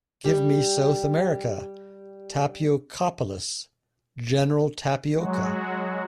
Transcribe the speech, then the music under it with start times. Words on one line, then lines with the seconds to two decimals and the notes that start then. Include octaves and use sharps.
Give me South America... Tapiocapolis... General Tapioca!
0.24 G3 G4
5.15 F#3 G#3 F#4